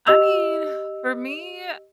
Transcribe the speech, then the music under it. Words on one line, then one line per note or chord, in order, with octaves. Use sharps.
I mean, for me,
G4 D#5 E6 F7